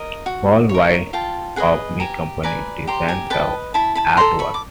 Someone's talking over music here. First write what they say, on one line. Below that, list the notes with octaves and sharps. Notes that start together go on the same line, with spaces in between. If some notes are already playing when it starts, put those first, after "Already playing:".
Paul White of "Me Company" designed the artwork.
Already playing: A#4 D#5
F#4
C#5
A#4
F4 G5 A5
G#4 B4 D#5 F#5 G#5
G4 G#5 A#5
B4 D5 G#5 A#5
G4 A#5 C6
G#5 A#5
B4 D#5 G5 A5
E4 A5 B5
A5 B5
A4 C5 A#5 C6
B5 C#6
D6